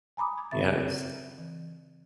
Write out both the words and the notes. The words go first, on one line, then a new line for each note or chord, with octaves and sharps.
you know, it's
G#5 A#5 B5 D6 D#6
C#3 C4 E5 A6
E3